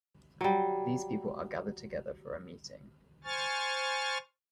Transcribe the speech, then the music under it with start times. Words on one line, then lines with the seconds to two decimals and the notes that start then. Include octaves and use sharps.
These people are gathered together for a meeting.
0.41 F#3 G3
3.24 C5 G#5 C#6 F6 A6